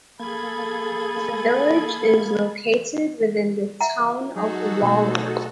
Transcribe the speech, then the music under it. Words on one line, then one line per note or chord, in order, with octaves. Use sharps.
The village is located within the Town of Walworth.
A#3 G#4 A4 B5 G#6
E5 F#5 A#5
F#3 D#4 F#4 G#4 A4
B2 A3